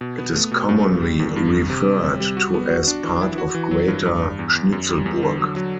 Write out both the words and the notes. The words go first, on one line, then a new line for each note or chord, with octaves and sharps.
It is commonly referred to as part of greater Schnitzelburg.
B2
B3
A3
B2
G2
G2
G3
E2
G2
G2
C3
G3
C3
G3
F#4
B3
F#4
D4
E3
E4
F#4
E3
F#3
G2
G2
G2
E2
E2
F#2
G3
E2
D3
F#3
F#3